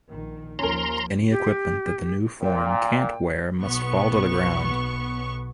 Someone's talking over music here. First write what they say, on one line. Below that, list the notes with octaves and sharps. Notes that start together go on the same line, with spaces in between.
Any equipment that the new form can’t wear must fall to the ground.
A#1 D#3
D#2 F3 C#4 A#4 A#5 C6
G4
A#2 G5
B1 B3 C#6